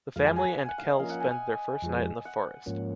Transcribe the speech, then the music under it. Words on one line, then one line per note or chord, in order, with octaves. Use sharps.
The family and Kel spend their first night in the forest.
F2 F3 G#3 F5
G#5
G#5
F#5
G#5
F#5
F5
D#5
F3 A#3 C#4 F4 A#4 F5
F#5
G#5
G#5
F2 F3 G#3
F#5
G#2 F3 A#3 C#4